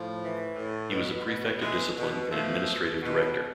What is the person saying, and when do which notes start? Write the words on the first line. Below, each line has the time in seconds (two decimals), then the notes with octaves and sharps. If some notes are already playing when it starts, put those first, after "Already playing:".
He was a Prefect of Discipline and Administrative Director.
Already playing: A2 F3
0.21 E3
0.56 A2
0.91 B2
1.27 B2
1.62 B2 E3 G#3
1.97 B2
2.32 B2 F3 A3
2.67 B2
3.03 B2
3.38 B2